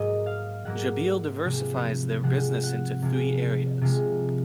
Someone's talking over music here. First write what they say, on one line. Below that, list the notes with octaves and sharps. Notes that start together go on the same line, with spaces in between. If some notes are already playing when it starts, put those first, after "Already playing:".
Jabil diversifies their business into three areas.
Already playing: G#2 F#3 A#3 D#5
F5
G#2 F#3 A#3 F#5
C3 F3 G#3
C3 F3 G#3 F#5
F#5
C3 F3 G#3
C3 F3 G#3